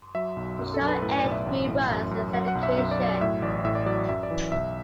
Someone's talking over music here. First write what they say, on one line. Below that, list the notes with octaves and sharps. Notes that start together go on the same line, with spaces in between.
The show aired in reruns in syndication.
F#3 E5
B1
F#2
A4
F#2
B4
A2 B4
D5
B1
E5
A1
A2
F#2
F#2
F#3 F#5
F#5
B1
E5
F#2 E5
D5
F#3
D5
A2 E5
A1 D5
A2 E5
D5
F#3 D5
F#2 E5
D5
E3
B1 E5